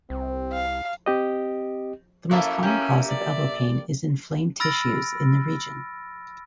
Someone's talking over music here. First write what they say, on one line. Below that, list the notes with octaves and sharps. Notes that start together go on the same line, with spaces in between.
The most common cause of elbow pain is inflamed tissues in the region.
C2 C4
F5
C4 G4 D#5
A#3 C#4 E4 F#4 A4
C#4 G4 E5 A#5
D5
B5 E6 F6 A6 A#6 D7